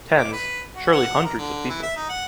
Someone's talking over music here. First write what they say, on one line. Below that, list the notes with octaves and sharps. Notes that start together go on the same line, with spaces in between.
Tens, surely hundreds of people.
D6
B4
F#4
F#5
A#4
D3
E3
E5
D#4
F#5